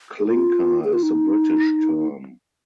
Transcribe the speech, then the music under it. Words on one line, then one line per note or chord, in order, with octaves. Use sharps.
Clinker is the British term.
G#4
F4
G#4
F4
D#4